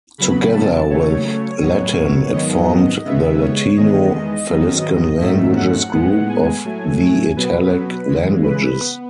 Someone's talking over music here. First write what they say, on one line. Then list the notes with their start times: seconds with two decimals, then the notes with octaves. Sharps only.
Together with Latin, it formed the Latino-Faliscan languages group of the Italic languages.
0.18 C#3 F#3 B3 B5
0.54 A5
0.90 C#3 F#3 A3 C#5
1.62 A2 F#3 B3
2.33 G#2 D#3 F#3 B3 D#5
3.05 C#3 G#3 B3 E5
3.42 C#5
3.77 E2 D#3 G#3 B3 D#5
4.13 D#5
4.49 G#2 D#3 F#3 B3
5.21 G#2 D#3 F#3 A3 E5
5.56 F#5
5.93 A2 G#3 B3
6.29 G#5
6.64 A2 F#3 A3
7.36 B2 F#3 B3 B4
8.08 C#3 E3 G#3
8.44 B4
8.80 B3